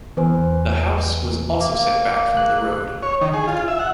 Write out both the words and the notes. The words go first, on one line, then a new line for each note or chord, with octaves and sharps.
The house was also set back from the road.
E2 B4 C5 G#5
A#3
F#6
C#5
D#3
G#4
F4
E5
F#5